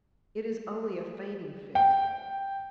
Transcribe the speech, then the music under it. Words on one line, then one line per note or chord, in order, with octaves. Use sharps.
"It is only a fainting fit."
G5